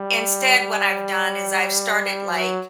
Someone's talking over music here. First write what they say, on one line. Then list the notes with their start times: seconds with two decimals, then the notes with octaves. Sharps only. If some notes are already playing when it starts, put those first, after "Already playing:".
instead what I've done is I've started, like
Already playing: G3
0.58 G3
2.29 F#3